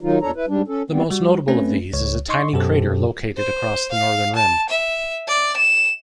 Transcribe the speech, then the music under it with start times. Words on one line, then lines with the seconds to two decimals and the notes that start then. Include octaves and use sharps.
The most notable of these is a tiny crater located across the northern rim.
0.01 D#3 F#3 D#4 F4
0.22 E2 A#2 D4 A4 C#5 A#5
0.36 E4 B4
0.48 G#2 G3 D4
0.68 C#4 A4
0.90 E3 G3 B3 C4
1.10 G3 F#4
1.48 A3 C4 C#4 B4
1.93 C#2 C#5
2.28 D#4 D#5 C6 C#6
2.53 F#2 B2 G4 A4 C5
3.37 C5
3.91 F5
4.35 A5
4.69 E5
5.28 D5
5.56 E7